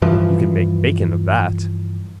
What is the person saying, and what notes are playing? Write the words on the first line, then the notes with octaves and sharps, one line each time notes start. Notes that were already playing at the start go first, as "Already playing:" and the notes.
You can make bacon of that.
G2 E3 F3